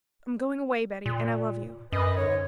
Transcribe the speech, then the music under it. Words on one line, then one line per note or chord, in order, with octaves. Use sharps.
I'm going away, Betty, and I love you.
A#2
F#2 B4 D#5
G#2 D3 C#5